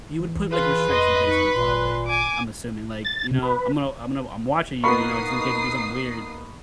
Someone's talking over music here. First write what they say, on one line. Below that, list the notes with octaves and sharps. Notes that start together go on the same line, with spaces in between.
he would put, like, restrictions, basically, probably, I'm assuming, l ike, you know, "I'm gonna I'm gonna I'm watching you, you know, just in case you do something weird."
E3
F4 G#4 B4
F2 D#5 C6
D#4 B5 C#6
G#1 A#2 C6
G#5 D6
A6
C3
B4
A#3 B3 D#4 B5 C#6 D#6 C7